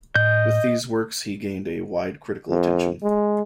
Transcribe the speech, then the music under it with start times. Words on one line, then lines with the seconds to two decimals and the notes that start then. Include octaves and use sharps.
With these works he gained a wide critical attention.
0.15 A2 D#5 G6
2.50 F2
3.03 G#3